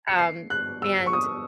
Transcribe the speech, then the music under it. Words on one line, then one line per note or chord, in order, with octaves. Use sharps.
um and
C#7
C7
F#6
E6
C#6
D#6